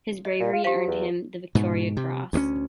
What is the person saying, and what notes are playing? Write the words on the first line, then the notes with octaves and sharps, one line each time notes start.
His bravery earned him the Victoria Cross.
D#5
A#2
F4
F3 G4 F5
E2
G#2 B2
C3
D2 E3 C#4